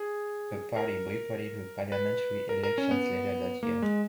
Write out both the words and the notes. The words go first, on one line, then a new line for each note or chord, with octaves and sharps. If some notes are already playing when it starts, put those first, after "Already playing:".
The party boycotted the parliamentary elections later that year.
Already playing: G#4
A#4
B4
A#4
A#4
C#4
B3
A#3
G#3